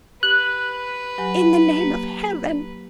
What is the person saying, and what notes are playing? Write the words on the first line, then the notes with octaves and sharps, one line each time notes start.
"In the name of heaven!"
G4 B4 F#6
F#3 G4 G#5
A#3 G4